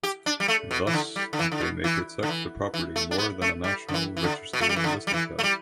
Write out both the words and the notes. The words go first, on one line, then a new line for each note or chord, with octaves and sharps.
Thus, they may protect the property more than a National Register listing does.
G4
D4
G3
A3
B2
E3
D3
G3
D3
E3
D3
B2
E3
D3
E3
E3
A3
D4
B3
A3
G3
D3
E3
E3
D3
B2
A3
G3
E3
D3
G3
E3
A3
G3